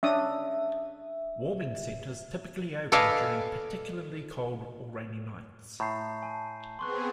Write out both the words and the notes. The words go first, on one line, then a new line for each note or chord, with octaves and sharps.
Warming centers typically open during particularly cold or rainy nights.
C#4 D4 E5 D#6
A4 B4 D5 D#5 F5 G#5
A2 A#5 G6 C7
G#5 A5
B3 C4 G#4 C6 C#6 F#6